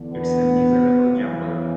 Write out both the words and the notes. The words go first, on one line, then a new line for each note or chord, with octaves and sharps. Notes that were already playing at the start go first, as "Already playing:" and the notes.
It's a miserable jumble.
Already playing: E2 D3
B3
E2 C#3 E3